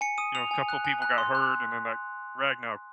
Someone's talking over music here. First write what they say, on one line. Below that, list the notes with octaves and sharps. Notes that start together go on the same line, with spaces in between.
you know, a couple of people got hurt, and then that Ragnar,
G#5 C#7
D#6 D#7
D#6 F7
G#5
F#6
G#5
F#6
C6
F#6